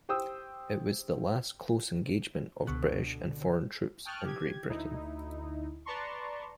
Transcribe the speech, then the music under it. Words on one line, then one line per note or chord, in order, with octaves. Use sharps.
It was the last close engagement of British and foreign troops in Great Britain.
G4 C5 G5 D#6 E6
C#2 B2 D3 C#6 F#6
G5 A5 C#6 D#6 F6 F#6
G4 G#6
D2 D#4 E4
B4 D5 A5 A#5 C6 C#6